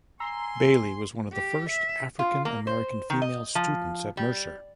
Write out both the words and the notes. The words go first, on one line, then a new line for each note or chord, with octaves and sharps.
Bailey was one of the first African-American female students at Mercer.
G#5 A#5 C6 E6
G4
E5
F4
A#3
C5
D#3
D#5
F3
G3